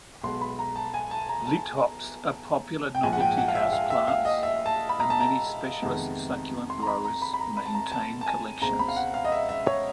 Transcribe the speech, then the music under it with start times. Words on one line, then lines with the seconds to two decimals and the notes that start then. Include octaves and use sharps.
"Lithops" are popular novelty house plants and many specialist succulent growers maintain collections.
0.23 B1 B2 G#3 B3 C6
0.41 B5
0.59 A#5
0.76 A5
0.94 G#5
1.11 A5
1.29 A#5
1.46 A5
2.95 G5
3.03 A#1 G#2 F3 G#5
3.13 F#5
3.20 G5
3.37 F#5
3.48 F5
3.55 E5
3.73 F5
3.90 E5
4.08 F5
4.25 D#5
4.43 E5
4.66 A5
4.89 B5
5.00 A#5
5.10 A5
5.21 A#5
5.82 F2 C3 D#3 G#3 B3
6.70 C6
6.82 A#5
6.87 B5
7.04 A#5
7.22 B5
7.34 B5
7.40 A#5
7.57 B5
7.66 A5
7.74 A#5
7.92 A5
8.21 A5
8.26 G#5
8.61 C#2 B2 G#3 C4 A#5
8.79 B5
8.88 F5
8.96 F#5
9.14 F5
9.25 D#5
9.32 E5
9.49 E5
9.66 C#5